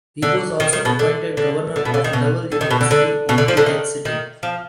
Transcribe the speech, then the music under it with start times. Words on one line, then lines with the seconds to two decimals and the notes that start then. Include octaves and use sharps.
He was also appointed Governor of Laval University in Quebec City.
0.22 D3
0.60 D#3
0.73 D#3
0.85 B2
0.99 D3
1.37 D3
1.76 D3
1.85 B2
1.94 D3
2.04 D#3
2.13 B2
2.52 D3
2.61 D#3
2.71 B2
2.81 D3
2.91 D3
3.29 B2
3.38 D3
3.48 F3
3.57 D3
3.66 D#3
4.05 D#3
4.43 F3